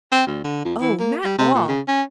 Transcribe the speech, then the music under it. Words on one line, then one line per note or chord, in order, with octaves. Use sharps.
'Oh, not all!
C4
D2
D3
F2
E3
A#3
G3
C3
A#2
C#3
C#4